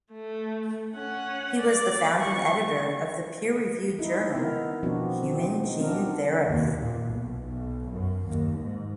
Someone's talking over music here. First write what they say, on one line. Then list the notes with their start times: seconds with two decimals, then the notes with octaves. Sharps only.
He was the founding editor of the peer-reviewed journal "Human Gene Therapy".
0.12 A3
0.95 C#4 F#5
1.59 D5
2.21 C#6
3.99 D#4 E4
4.35 D#3 B3 D#4 E4 A#4
4.83 B2 F3 B3 C4 D4 F#4
5.23 C4
5.64 D#4
5.79 B3 C4 D4 F4 A#4
6.47 D#2
6.82 A#2
7.12 B1
7.46 B1
7.90 F#2
8.27 D#2
8.60 G#2